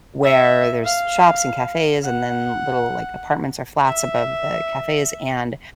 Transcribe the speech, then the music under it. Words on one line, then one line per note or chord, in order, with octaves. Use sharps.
where there's shops and cafes, and then little, like, apartments or flats above the cafes. And
E5
F5
F#5
E5